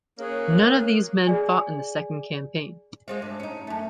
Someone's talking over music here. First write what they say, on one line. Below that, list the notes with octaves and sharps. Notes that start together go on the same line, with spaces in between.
None of these men fought in the second campaign.
A#3 C#4 G#4 C#5 F#6
G#4 D5 G#5
G#3 C4 F4
G2
C#4 D#4
F#2 A3